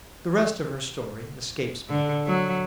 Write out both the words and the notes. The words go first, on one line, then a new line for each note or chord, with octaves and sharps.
The rest of her story escapes me.
D3
F#3